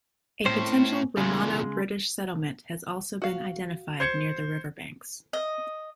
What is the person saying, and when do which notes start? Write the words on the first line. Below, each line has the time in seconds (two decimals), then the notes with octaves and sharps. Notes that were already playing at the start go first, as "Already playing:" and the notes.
A potential Romano-British settlement has also been identified near the river banks.
0.46 A2 C4 C#4 C5
1.17 E2 A#2 C#3 G#3
3.22 F#4 F5
4.00 C5 G#6 C#7
5.33 D#5